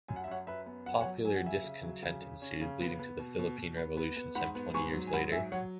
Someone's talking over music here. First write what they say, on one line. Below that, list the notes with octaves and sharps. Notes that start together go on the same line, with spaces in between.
Popular discontent ensued, leading to the Philippine Revolution some twenty years later.
F#2 G#5
F#5
E5
F#2 C#5 F#5
F#2 B4 E5
B3
F#2 F#5
G#5
C#5 F#5
F#3
F#3 G#5
F#5
C#3 E5 G#5
C#3
F#3
C#3
C#3
C#4
C#3
B3
B3
B2
B2
B2
B3
B3
B3
G#2 F#5 B5
B3
G#2 G#5 C#6
F#3
G#5
G#2 F#5 B5
F#3 E5 G#5
F#3 C#5 F#5